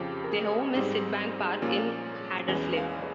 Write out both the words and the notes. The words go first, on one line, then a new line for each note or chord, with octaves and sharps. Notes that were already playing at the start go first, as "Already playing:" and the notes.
Their home is Sydbank Park in Haderslev.
Already playing: F2 C#3 F3 C4 G4
A#4
G#4
G#2 G3 C4
A#2 F3 A#3 C#4
E2 E3 G#3 C#4
F5